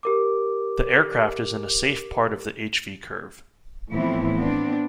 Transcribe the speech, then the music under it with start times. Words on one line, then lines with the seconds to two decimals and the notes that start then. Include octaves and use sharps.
The aircraft is in a safe part of the H-V curve.
0.03 G4 A#4 D6
3.90 A2 E3 F3 B3 C4 E4
4.38 B3 C4 D4